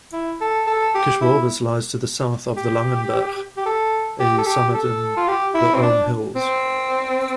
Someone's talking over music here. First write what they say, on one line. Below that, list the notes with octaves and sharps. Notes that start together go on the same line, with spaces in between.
Kirchworbis lies to the south of the Langenberg, a summit in the Ohm Hills.
E4
A4
A4
G4
E4
G4
G4
A4
G4
A4
G4
A4
F4
G4
E4
C4
D4
C4